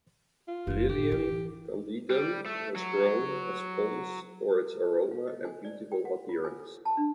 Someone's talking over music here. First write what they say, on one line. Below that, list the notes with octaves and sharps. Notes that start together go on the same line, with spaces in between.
Lilium candidum was grown as ponds for its aroma and beautiful appearance.
F4
F#1 E3
A2 G4
E3
G3
A3
F#3
F5
D#5
G#5
D5
G5
F#5
F4
G#5
A4
A5
D4